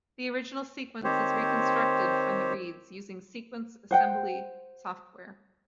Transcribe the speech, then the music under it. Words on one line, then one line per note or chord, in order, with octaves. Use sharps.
The original sequence is reconstructed from the reads using sequence assembly software.
D#3 C4 G4 C5 C#5
C5 F#5 G5